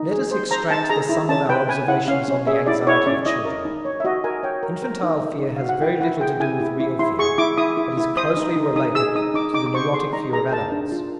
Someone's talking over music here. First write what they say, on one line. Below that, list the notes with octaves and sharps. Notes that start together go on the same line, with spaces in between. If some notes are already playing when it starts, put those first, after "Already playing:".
Let us extract the sum of our observations on the anxiety of children: Infantile fear has very little to do with real fear, but is closely related to the neurotic fear of adults.
Already playing: D#4
G#4
C5
C5 A#5
D#4 A5
A5
G#4 A#5
E4
C#4 A5
B4 G5
B4 G#5
E4 F#5
C#4 F5
C#4
G#4 E5
E4 D5
E4 C#5
C#4 D5
E4 D#5
A#4
D#4
C#5
E5
F#4 D#5
A#4 G#5
C#5 G5
A#4
A#4
D#4
D#4
D#4
F#4 F5
F#5
E4 G5
E4 F#5
G#4 G5
E4 G#5
E4
E4
E4 C6
G#4 C#6
E4 D6
E4 D#6
E4
E4
C5 D#6
D#4
D#4
D#4 D#6
G#4 E6
D#4 D#6
D#4 D6
D#4 D6
D6
C5 C#6
G#4 C6
D#4 A#5
G#4 A#5
A#4 A5
D4
F4